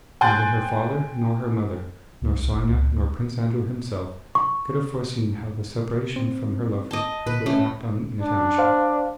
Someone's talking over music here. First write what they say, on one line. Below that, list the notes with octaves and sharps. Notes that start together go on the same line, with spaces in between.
Neither her father, nor her mother, nor Sonya, nor Prince Andrew himself could have foreseen how the separation from her lover would act on Natasha.
G5 G#5 C6 F#6 G6 A6
D2
C2
G1
C#2
D2
C#6
C4
D#5 A5
A#2 B4
A3 C#4
D4
C5 F5